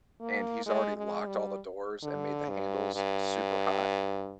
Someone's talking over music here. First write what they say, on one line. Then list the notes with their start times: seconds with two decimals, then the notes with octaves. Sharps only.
and he's already locked all the doors and made the handles super hot,
0.21 A#3
0.66 G#3
0.97 G#3
1.27 G3
2.03 D3
2.49 G2
2.95 G2